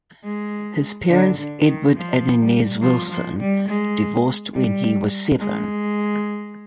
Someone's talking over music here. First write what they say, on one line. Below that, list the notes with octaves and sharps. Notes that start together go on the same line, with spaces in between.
His parents, Edward and Inez Wilson, divorced when he was seven.
G#3
D3
D3
D#3
F3
G3
F3
F3
G3
G#3
G3
G#3